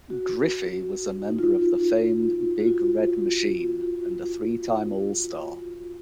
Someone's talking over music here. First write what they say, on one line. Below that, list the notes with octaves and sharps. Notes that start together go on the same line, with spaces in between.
Griffey was a member of the famed Big Red Machine, and a three-time All-Star.
F#4
D#4
F4
F#4
F4